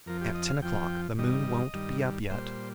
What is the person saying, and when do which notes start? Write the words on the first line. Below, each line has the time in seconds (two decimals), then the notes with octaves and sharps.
At ten o'clock the moon won't be up yet.
0.06 F2 F3 A#4
0.21 G4
0.34 D#5
0.49 F5
0.62 F2 F3 G5
1.18 G2 D#3 G3 D#5
1.74 G2 D#3 G3
2.30 A#2 G3 C5